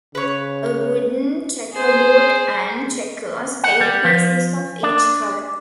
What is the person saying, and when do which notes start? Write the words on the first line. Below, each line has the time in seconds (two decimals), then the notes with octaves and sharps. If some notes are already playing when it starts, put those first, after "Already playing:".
A wooden checkerboard and checkers, eight pieces of each colour.
0.15 C#3 B4 C#5
1.73 G#4 C5
3.64 F#5
3.81 G3
4.05 F3
4.83 D4